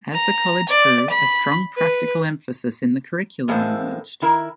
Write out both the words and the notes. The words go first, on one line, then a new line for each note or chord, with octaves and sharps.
As the College grew, a strong practical emphasis in the curriculum emerged.
A#5
D5
B5
B4
A2 E3 G#3 A#3 A4 C5
D#3 E4 A#4